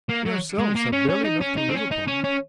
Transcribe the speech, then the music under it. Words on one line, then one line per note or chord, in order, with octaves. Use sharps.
We ourselves have barely enough to live upon.
A#3
F#3
G#3
A#3
C#4
C#4
D#4
C#4
D#4
C4
C#4
D#4
C#4
C#4